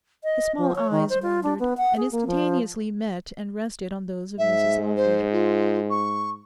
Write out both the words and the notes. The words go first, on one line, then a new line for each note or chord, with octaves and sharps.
His small eyes wandered, and instantaneously met and rested on those of Mrs Lawford.
D#5
F3
C#5
D#3
C5
F4
D4
B3
F#5
G#4
A#3
F3
G#2 E5
C5
F4
C#6